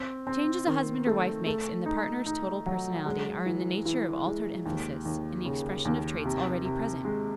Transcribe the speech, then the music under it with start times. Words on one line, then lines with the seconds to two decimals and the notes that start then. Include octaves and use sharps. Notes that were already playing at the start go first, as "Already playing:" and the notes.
The changes a husband or wife makes in the partner's total personality are in the nature of altered emphasis in the expression of traits already present.
Already playing: C4
0.27 C4
0.67 D#3
1.07 A3
1.46 A3
1.86 D#4
2.26 D#4
2.66 F#3
3.06 G#3
3.46 E3
3.86 E3
4.26 G#3
4.66 D#2
5.05 D#2
5.45 C#3
5.85 D#2
6.25 C3
6.65 C3
7.05 G#3